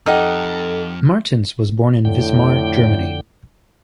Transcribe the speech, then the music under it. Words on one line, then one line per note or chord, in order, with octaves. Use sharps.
Martens was born in Wismar, Germany.
F2 D#4 G4 A4 D#5 F#5 F6
F2 A2 D3 G5